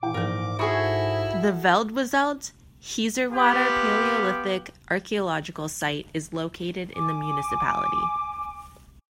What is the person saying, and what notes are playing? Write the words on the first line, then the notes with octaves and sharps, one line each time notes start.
The Veldwezelt-Hezerwater Palaeolithic archaeological site is located in the municipality.
A#2 E3 E4 G5 D6
A#1 G#2 E3 A#4 G6
E4 F#4 G#4 A4 B5 C#6 D#6
B3 F4 G4 B4
G#5 D6